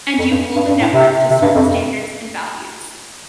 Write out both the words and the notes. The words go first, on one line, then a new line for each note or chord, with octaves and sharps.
And you hold the network to certain standards and values.
F2
G2
G2
G2
A2
C3
C3
G2
F2